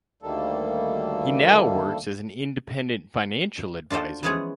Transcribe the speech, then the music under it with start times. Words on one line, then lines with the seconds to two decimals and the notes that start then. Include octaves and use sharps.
He now works as an independent financial advisor.
0.22 D2 D#3 G3 A#3 A4
3.90 D4 F4 F#4 A4 C5
4.23 E3 F3 G#3 B3 C#4 G#4